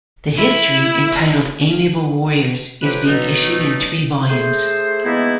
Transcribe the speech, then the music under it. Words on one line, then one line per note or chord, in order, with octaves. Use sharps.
The history, entitled "Amiable Warriors", is being issued in three volumes.
E4
F2 F#3 G4 B4
B2 F#3 A3 D#4
A3 G#4 C5
E3 G#3 A#3 B3 D#4 E4